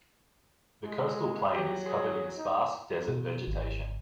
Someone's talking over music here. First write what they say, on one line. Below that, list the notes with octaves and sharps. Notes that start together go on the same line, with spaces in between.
The coastal plain is covered in sparse desert vegetation.
G#3
F#3 G4
G#4
D#4
B2
G#1